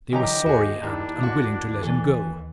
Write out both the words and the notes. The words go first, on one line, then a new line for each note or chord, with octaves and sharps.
They were sorry and unwilling to let him go.
D3 E3 F#3 G4 D#5 A#5
D#2 F#4 G#4
D#3 D4 E4 G4
F#4
E3 A4